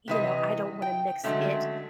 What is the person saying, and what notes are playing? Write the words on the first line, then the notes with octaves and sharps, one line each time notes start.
y you know, I don't wanna mix it
C3 E3 D#5
G5
D3 F#3 G#3 A3 C#4